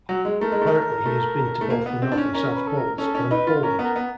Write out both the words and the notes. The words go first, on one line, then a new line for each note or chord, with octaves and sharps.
Apparently he has been to both the North and South poles, and Poland.
F#3
G#3
A3 A#4
G#3
A3
A3
A3
A#3
B3
C4
D4
C#4
C#4 A#4
B4
A4
A#4
C#4 A4
C#4
D#4 B4
F4
C#4 A#4
B3 A#4
B3